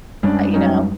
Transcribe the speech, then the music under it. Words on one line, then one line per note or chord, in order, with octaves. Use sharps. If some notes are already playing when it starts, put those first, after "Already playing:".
uh, you know.
F#2 G3 G#3 C#4 D4 D5
F#3 C#4 D#4